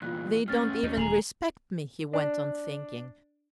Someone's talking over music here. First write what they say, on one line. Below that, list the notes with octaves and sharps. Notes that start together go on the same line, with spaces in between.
"They don't even respect me," he went on, thinking.
E2 A#2 F4 F#6
A2 C#4 F6 A6
D#2 C#4 D#4
D#1 D2 G#4 A#5 F7 F#7
D4